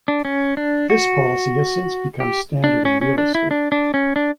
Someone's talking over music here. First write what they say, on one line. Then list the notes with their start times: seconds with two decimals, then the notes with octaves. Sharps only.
This policy has since become standard in real estate.
0.08 D4
0.25 C#4
0.57 D4
0.90 F#4
2.20 G4
2.64 D4
2.85 C#4
3.01 C#4
3.18 D4
3.35 E4
3.51 D4
3.72 D4
3.94 C#4
4.16 D4